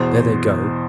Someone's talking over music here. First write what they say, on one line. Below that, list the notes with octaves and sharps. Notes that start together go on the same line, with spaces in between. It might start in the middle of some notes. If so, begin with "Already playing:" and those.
"There they go!"
Already playing: E2 B2 C5